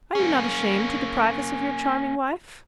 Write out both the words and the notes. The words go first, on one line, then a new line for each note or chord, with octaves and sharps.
"Are you not ashamed to deprive us of your charming wife?"
A#3 C#4